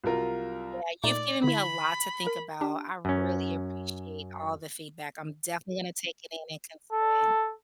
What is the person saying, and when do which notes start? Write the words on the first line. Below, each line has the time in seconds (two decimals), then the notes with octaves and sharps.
yeah, you've given me a lot to think about, I really appreciate all the feedback, I'm definitely gonna take it in and consider it.
0.04 C2 F#3 F4 A#4
1.04 A#2 A3 D#4 D5
1.44 D3 E4 B5
2.27 A#4
2.61 D4 G4
3.05 F#2 C#4
6.93 A4